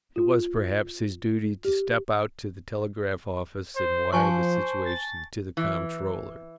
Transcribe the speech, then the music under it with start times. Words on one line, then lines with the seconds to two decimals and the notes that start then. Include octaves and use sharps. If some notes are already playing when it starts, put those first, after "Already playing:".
It was, perhaps, his duty to step out to the telegraph office and wire the situation to the Comptroller.
0.16 F4
1.65 G4
3.76 C5
4.12 F3 C5 G#5 A5 C#6
4.85 A6
5.57 E3